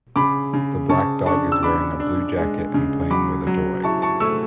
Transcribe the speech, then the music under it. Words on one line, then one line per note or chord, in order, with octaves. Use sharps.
The black dog is wearing a blue jacket and playing with a toy.
C#3 B5 D6
C#3
C#3 A5 C#6
D4 A5 C#6
E6
D4 B5 D6
D4
G#3
C#3
F#3 B5 D6
F#3
E4 A5 C#6
A5 C#6
A3 C#6 E6